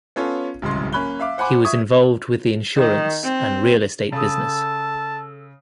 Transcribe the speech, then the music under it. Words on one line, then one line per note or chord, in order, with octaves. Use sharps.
He was involved with the insurance and real estate business.
B3 C#4 F4 A4 C#5
D1 C2 C#3 G#3 C6
A#3 C#4 B5 C#6 F#6 G7
E5 F5 D6
C5 F#5 G#5 B5 D6
E5 C#6 D#6 G#6
D#3
C4
C#3 A4 A5 D#6